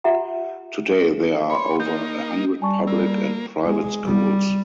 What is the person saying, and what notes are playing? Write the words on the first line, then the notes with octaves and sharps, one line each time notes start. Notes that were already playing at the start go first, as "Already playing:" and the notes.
Today there are over a hundred public and private schools.
F4 G4 E5 F#5 A#5
C#5 B5 C6
A#3 D#4 G6
G3 G#5 A5 C#6
A#3 E6
G#3
G3